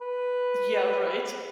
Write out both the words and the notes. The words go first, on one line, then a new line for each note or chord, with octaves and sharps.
Yeah, right.
B4